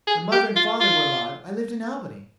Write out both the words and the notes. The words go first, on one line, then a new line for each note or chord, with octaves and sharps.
When mother and father were alive I lived in Albany.
G#4
G4
F4
F4